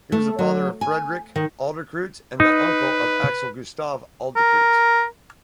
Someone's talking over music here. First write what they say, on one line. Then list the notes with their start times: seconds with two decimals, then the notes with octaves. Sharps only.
He was the father of Fredrik Adlercreutz and uncle of Axel Gustav Adlercreutz.
0.12 A3
0.39 F#3
0.81 G#5
1.36 D#3
2.40 D#4 B4
4.36 A#4